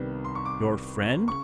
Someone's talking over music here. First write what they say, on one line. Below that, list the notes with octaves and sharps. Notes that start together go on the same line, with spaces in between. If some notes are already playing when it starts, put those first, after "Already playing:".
"Your friend?"
Already playing: C2 C3 D#3 G3 B3
C6
C#6
D6
C#3 C#6